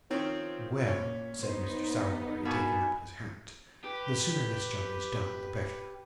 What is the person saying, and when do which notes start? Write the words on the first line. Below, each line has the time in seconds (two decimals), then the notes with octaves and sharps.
'Well,' said Mr. Sowerberry, taking up his hat, 'the sooner this job is done, the better.
0.11 D#3 F3 C4 C#4
0.87 A#2 C#4
1.43 B3 D#4 C5
2.00 C3
2.45 B2 A#3 F#4 G#5 B5
3.84 G4 B4